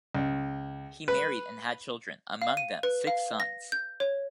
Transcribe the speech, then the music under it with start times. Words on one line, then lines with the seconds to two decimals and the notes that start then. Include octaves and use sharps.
He married and had children, among them six sons.
0.15 C#2
1.08 B4
2.42 F5
2.57 D#7
2.83 B4
3.07 F5
3.40 A#6
3.72 G6
4.00 C#5